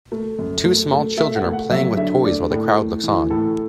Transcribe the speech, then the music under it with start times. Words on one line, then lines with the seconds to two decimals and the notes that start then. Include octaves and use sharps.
Two small children are playing with toys while the crowd looks on.
0.12 A3
0.39 F#2
0.64 A3
0.91 A3
1.17 A3 E5
1.36 F#5
1.44 A3
1.53 F#5
1.71 F#3 E5
1.97 D3 E5
2.24 A3 D5
2.51 A2
2.77 A3
3.04 E3
3.30 A2 A4